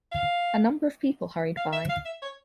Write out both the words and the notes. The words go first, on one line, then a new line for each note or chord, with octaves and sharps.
A number of people hurried by.
F5
F5
E5
F5
E5
C#5